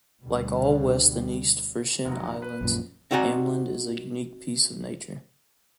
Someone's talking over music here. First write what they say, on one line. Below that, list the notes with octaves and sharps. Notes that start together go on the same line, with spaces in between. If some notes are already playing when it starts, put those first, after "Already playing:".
Like all West and East Frisian Islands, Ameland is a unique piece of nature.
D2 B2 D3 G3
F1 F#3
B4
A#1 F#2 A#2
C4 D#4 F#4 D5 G#5 A#5